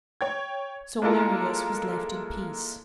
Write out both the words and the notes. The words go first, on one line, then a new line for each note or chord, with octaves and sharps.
So Marius was left in peace.
C#5 G5 G#6
G#3 A#3 E4 F4 A4 A#4